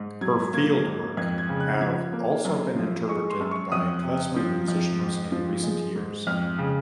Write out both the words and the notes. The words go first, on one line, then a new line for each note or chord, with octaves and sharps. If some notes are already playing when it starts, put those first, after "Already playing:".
Her field work have also been interpreted by klezmer musicians in recent years.
Already playing: G#2
F#3 G#6
A#3 G#6
G#2
F2 G#6
G#6
C#3
F#6
F3 G#6
A#3
F#2
F3
G#3 C#6
C6
F#2
C#6
F2 D#6
C3
F3
F2
G#2
F3
G#3
G#2
F2 F6
C#3